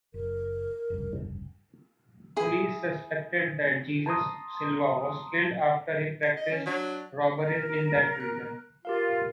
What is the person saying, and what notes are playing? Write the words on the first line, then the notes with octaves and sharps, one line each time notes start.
Police suspected that Jesus Silva was killed after he practiced robberies in that region.
F#1 A#4
F1 C#2 G2
E4 G#4
A5 A#5 C6 D#6
D#5
C#4
F#3 D4
A#4
F#6
F4 G4 A#4 F5